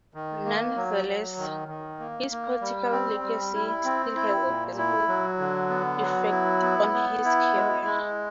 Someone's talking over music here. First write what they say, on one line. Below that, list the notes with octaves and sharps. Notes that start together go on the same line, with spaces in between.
Nonetheless, his political legacy still has a visible effect on his career.
D#3
A#3
F#3
F#3
D#3
D#3
A#3
A#3
G3
C4
G3
E4
C4
E4
A#2
E4
F#3
D3
B3
F#3
E4
B3
B3
E4
G#3
G#3